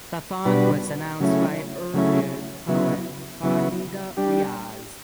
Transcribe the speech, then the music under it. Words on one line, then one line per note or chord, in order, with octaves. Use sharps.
The font was announced by Urdu poet Fahmida Riaz.
B2 G3 D4 F#4 B4
C#3 F#3 A3 C#4 E4
C#3 F#3 A3 C#4 E4
C#3 F#3 B3 E4
C#3 F#3 B3 E4
G3 D4 G4